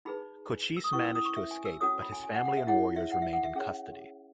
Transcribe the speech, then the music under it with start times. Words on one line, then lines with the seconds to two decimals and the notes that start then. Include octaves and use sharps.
Cochise managed to escape, but his family and warriors remained in custody.
0.05 D#4 G#4 B4 B5
0.77 E6
0.84 D#6
0.93 C#4 E4 B4 C#6
1.04 E6
1.15 D#6
1.26 C#6
1.37 E5
1.51 G#5
1.65 E6
1.80 C#4 F#4 A4 C#5 D#6
2.02 B5
2.12 G#5
2.24 G#5
2.35 F#5
2.45 F#5
2.57 E5
2.67 E4 G#4 C#5 F#5
2.96 E5
3.12 F#5
3.22 E5
3.33 F#5
3.44 E5
3.55 C#4 G#4 C#5